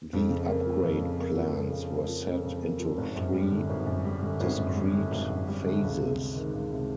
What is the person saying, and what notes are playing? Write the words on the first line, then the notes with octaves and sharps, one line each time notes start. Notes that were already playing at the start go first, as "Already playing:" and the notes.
The upgrade plans were set into three discrete phases.
F2
C#3
A#3
F3
F2
C#3
A#3
F3
F2
C#3
A#3
F3
F2
C#3
A#3
F3
G#1
F#2
G3
D3
G#1
F#2
G3
D3
G#1
F#2
G3
D3
G#1
F#2
G3
D3
C#2
C3
G#3
D#3
C#2
C3